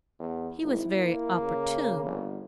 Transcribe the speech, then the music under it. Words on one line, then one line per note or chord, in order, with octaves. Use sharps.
He was very opportune.
E2
G#1 E4
A#3
C#3
G1